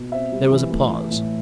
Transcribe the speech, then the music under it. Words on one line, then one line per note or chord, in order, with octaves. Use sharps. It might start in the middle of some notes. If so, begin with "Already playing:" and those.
There was a pause.
Already playing: B2
C4 E5
G3
E3
A3
E3
A2